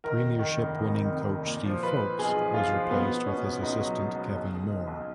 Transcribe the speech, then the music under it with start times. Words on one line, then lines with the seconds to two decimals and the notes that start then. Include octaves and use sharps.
Premiership-winning coach Steve Folkes was replaced with his assistant Kevin Moore.
0.04 D#3 A#4
0.22 F1
0.39 D#3
0.57 F1
0.75 F2
0.93 D#3
1.11 F1
1.29 F1
1.46 A#2
1.66 F3
1.83 F3 B4
2.00 F3
2.19 B1 G#4
2.37 F3
2.54 B1 F4
2.73 F3
2.90 B2 B3
3.08 B2
3.26 B2 C#4
3.45 C#2
3.62 C#2 D#4
3.80 F#3
3.98 F#3
4.16 C#2
4.34 B1
4.52 B1
4.70 B1
4.87 B1